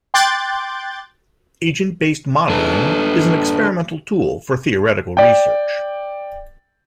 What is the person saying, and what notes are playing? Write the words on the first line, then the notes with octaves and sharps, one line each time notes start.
Agent-based modeling is an experimental tool for theoretical research.
G5 C6 D6 F#6 G6 A6
D4 A4 B4
D5 G5